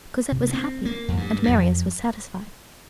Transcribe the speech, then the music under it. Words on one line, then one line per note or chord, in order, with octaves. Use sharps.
Cosette was happy, and Marius was satisfied.
C3
A#3
C4
A#3
F2
G2
G2
F2